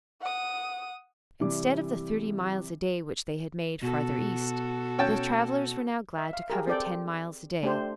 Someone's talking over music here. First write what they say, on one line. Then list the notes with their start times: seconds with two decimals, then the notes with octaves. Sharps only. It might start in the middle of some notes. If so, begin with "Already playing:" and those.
Instead of the thirty miles a day which they had made farther east, the travellers were now glad to cover ten miles a day.
0.21 F#5 D#6
1.41 C3 E3 G3 D6
3.82 B2 F#4 A4
4.99 C#4 G5 A5
6.18 E5
6.33 F5
6.50 G4 G#4 A#4
6.67 C4 A4 D5 G5
7.63 A3 D4 G4 C5